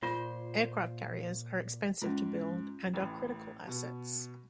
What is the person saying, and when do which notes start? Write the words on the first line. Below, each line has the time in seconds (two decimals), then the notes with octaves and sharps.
Aircraft carriers are expensive to build and are critical assets.
0.03 A#2 F4 C5
2.02 G#2 C#4 F4
2.93 A1 A2
3.67 B2